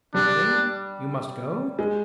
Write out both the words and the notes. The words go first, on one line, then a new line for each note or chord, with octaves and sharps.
Really--you must go?
G3 D4
G#3